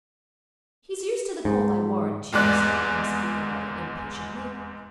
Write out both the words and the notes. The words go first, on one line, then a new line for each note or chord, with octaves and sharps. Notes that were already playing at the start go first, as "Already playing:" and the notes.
"He's used to the cold, I warrant you," said the housekeeper rather impatiently.
G#2
F1 E2 G#2 D5 F#6